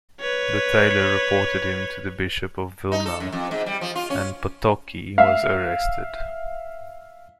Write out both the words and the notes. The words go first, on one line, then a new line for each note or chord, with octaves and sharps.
The tailor reported him to the Bishop of Vilna, and Potocki was arrested.
B4 C#5
D#4
A4
F#2
F2
G#2
G3
F3
F4
C#4
E5 F5